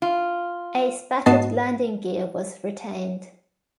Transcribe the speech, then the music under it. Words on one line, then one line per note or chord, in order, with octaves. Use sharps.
A spatted landing gear was retained.
F4
G#2 B3 F#4 D#5 A5 C7